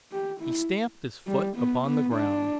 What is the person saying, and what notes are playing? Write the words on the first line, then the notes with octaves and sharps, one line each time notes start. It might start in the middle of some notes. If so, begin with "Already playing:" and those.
He stamped his foot upon the ground.
G4
E4
G3
B3
B3
D4